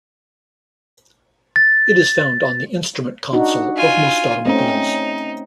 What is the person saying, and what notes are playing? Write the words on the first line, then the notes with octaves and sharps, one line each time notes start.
It is found on the instrument console of most automobiles.
A6
D4 D#4 F#4
F4 G#5
A3 C4 C#4 D#4